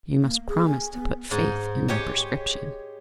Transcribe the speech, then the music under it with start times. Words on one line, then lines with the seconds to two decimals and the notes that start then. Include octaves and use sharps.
"You must promise to put faith in my prescription."
0.22 A#3
0.48 G#4
0.66 G#5
0.94 B3
1.31 G#2
1.88 G#3 G4 C#5